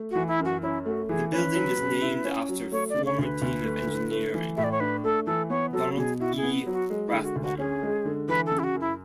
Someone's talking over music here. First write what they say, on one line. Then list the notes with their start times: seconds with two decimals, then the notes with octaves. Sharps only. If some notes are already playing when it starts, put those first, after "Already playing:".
The building is named after former dean of Engineering, Donald E. Rathbone.
Already playing: A3
0.11 E3 F#4
0.28 E4
0.40 F#2
0.45 F#4
0.62 C#4 E4
0.86 A3 F#4
1.09 E3 G#4
1.32 C#4 B4
1.55 F#3
1.78 C#3
2.01 E4
2.25 C#4
2.49 F#3
2.72 A3 C#5
2.89 D3 D5
3.06 C#5
3.18 D2
3.24 B4
3.42 D2
3.64 A3
3.87 D3
4.11 A3
4.34 E3
4.57 A2 E5
4.64 D5
4.72 C#5
4.80 D4 B4
5.04 A3 A4
5.26 E3 A4
5.50 B3 C#5
5.73 F#3 A4
5.97 B2 G#4
6.20 E4 F#4
6.37 G#4
6.43 B3
6.66 F#3
6.72 F#4
6.90 G#3
7.07 D3 E4
7.24 F#4
7.36 D2
7.42 F#4
7.58 C#4 G#4
7.83 G#3
8.05 D3
8.29 E3 B4
8.46 A4
8.51 C#3
8.59 E4
8.64 F#4
8.75 F#2
8.81 E4